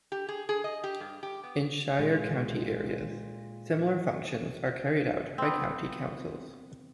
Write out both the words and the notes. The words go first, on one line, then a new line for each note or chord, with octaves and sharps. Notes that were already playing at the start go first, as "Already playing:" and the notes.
In shire county areas, similar functions are carried out by county councils.
G4
G#4
G#4
D#5
G4
G2
G4
B3
A#2 G#3
B3 C4